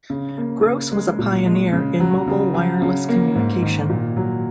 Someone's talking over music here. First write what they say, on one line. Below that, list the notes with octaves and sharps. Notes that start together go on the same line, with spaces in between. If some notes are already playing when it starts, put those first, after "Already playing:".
Gross was a pioneer in mobile wireless communication.
C#3
A#3
C#3
G#3
A#2
G#3
C#3
F#3
C#3
F#3
C#3
A#3
G#2
D#3
A#2
F#3